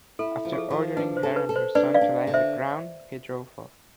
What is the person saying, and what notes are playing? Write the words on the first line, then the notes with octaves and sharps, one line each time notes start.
After ordering her and her son to lie on the ground, he drove off.
E4 A4
F3
G#4
A4
F3
D4 B4
C5
A4
B4
A4
C5
D4 B4 D5
D5 F5
D4
D3
C5 E5